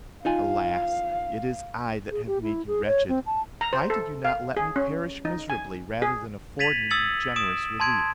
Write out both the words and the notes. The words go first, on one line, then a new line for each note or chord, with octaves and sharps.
Alas! it is I that have made you wretched! why did you not let me perish miserably, rather than afford me your generous relief?
D#4 F4 F5 G#5
G#4
G4
E4
G#4
C#5
C4
A5
A#5
C5
A4
F5
G#4
C#4
D#4
G#5
G#4
G#6 A6 B6 D#7 F7 F#7
D#6 E6 G#6 A6 C#7 F#7
D#6 D7 E7
A5 C6 G#6 D7